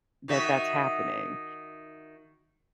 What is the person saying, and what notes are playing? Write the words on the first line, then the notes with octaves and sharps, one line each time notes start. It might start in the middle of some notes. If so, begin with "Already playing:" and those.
that that's happening,
D#3 F#4 E5